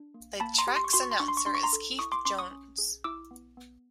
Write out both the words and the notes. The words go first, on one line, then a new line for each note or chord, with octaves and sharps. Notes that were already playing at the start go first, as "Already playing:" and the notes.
The track's announcer is Keith Jones.
Already playing: D4
A#3
A#3 A5 B5
A#5 C6
G4
C6
C#6
F#4 C6
C#6
C6
D4 C#6
C6
C#6
D4 C6
C#6
A#5 C6
A4
E4 C#6 D#6
C6 D6
C#4 C6 D6
C#6 D#6
C#4
G#4
E4 D6 E6
B3
B3